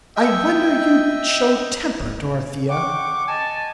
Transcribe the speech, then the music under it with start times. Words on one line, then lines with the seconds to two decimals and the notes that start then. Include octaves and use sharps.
"I wonder you show temper, Dorothea."
0.16 D#5 E5 G5 E6
2.69 F#5 G5 C#6 D6
3.27 D#5 G#5 A5